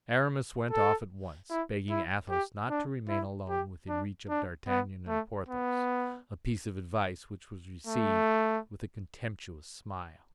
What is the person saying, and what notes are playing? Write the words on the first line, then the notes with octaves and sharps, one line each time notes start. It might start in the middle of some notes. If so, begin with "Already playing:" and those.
Aramis went off at once, begging Athos not to remain alone within reach of D'Artagnan and Porthos; a piece of advice which was received with a contemptuous smile.
A4
E4
E4
G4
D4
E4
G4
D4
D4
B3
A3
B3
A3